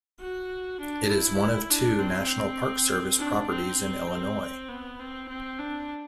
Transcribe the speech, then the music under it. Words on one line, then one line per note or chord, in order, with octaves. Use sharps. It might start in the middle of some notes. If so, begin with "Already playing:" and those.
It is one of two National Park Service properties in Illinois.
F#4
D4
E4
D4
C4
D4
C4
C4
B3
C4
C4
D4